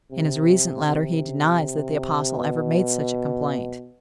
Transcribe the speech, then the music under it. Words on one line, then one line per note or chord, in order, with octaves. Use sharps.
In his recent letter he denies that the apostle ever made such a complaint.
C3
C3
B2